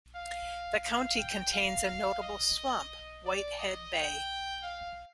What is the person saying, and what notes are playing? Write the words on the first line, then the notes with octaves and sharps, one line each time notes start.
The county contains a notable swamp, Whitehead Bay.
F5
F5
G5
F5
F5
D#5
D5
D#5
G5
F5